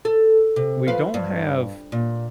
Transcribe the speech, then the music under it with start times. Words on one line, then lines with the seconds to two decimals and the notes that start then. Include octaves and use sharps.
we don't have
0.05 A4
0.56 C3
0.88 F3 B4 F5
1.14 G2
1.92 A#2